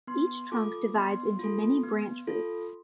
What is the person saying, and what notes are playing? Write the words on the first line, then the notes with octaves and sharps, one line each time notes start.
Each trunk divides into many branch routes.
B3 C6
F4 A4 D6
B3 C6
F4 A4
B3
F4 A4